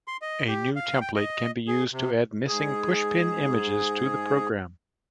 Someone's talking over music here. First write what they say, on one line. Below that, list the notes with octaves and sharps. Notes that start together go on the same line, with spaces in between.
A new template can be used to add missing pushpin images to the program.
C6
D#5
G4
F5
G5
D#5
G#4
C3
G#2 G#4